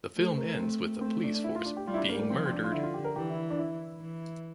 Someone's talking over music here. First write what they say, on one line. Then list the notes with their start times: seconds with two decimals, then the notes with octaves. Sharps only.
The film ends with the police force being murdered.
0.16 A3 A4
0.27 C5
0.38 A#4
0.48 A#4
0.59 A3 C4
0.97 A#3
1.01 A3 C4
1.23 D4
1.34 D4
1.44 E4
1.56 F4
1.65 D4
1.77 G4
1.87 G3 F4
1.94 E4
1.98 D4
2.09 A#3
2.19 A#3
2.30 F3 C4
2.46 C4
2.52 D4
2.64 F4
2.72 D3 E4
2.83 F4
2.94 G4
3.04 A#4
3.16 E3 G4
3.30 E4
3.50 D4
3.59 E4
4.01 E3